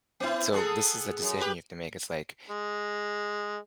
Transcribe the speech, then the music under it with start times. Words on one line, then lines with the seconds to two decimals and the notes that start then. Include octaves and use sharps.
n so, this is a decision you have to make, it's, like,
0.20 B3 E4
0.52 B3 G#4 A4
1.22 F#2
1.40 G4 B4
2.50 G#3